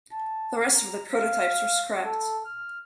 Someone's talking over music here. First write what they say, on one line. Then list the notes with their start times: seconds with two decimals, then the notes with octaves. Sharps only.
The rest of the prototypes were scrapped.
0.12 A5
0.74 A#5
1.14 F5
2.05 A4
2.45 F6